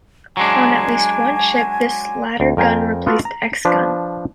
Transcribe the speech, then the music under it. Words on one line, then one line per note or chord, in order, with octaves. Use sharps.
On at least one ship, this latter gun replaced 'X' gun.
F#3 G#3 D4 G#5
D2
F2 A#4 G5 G#5 A#5
B3 F4 F#4 A4
A#5
F3 D4 B4